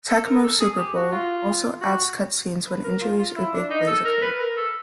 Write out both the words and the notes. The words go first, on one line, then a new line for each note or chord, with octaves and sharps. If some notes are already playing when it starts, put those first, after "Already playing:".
"Tecmo Super Bowl" also adds cut scenes when injuries or big plays occurred.
A4
A#4
A4
G#4
G4
F#4
F4
F#4
B4
A#4
F4
F4
E4
D4
D#4
A4
A#4
B4
A#4
A4